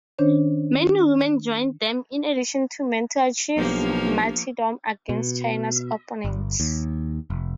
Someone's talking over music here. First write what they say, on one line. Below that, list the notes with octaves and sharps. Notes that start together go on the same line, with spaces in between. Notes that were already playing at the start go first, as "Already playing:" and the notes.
Many women joined them in addition to men to achieve martyrdom against China's opponents.
D#3 C#4 D4 C5 C#5
B1 F3 A#3 B3 D4 G4
B2
G1
D#2
F1